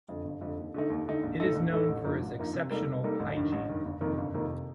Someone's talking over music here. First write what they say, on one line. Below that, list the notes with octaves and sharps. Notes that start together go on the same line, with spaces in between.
It is known for its exceptional hygiene.
F2 D3
G1
F2 D3
D#2
D3 A3 D#4
D#2
D3 A3 D#4
A#1
A2 A3 D#4 A4
A#1
A2 A3 D#4 A4
A1
G2 F3 A#3 D#4
A1
G2 F3 A#3 D#4
C3
G3 A#3 D#4 A4
C3
G3 A#3 D#4 A4
A1
G2 D#3
A1
G2 D#3
G1
F2 C3 D#3 A#3
G1
F2 C3 D#3 A#3
C3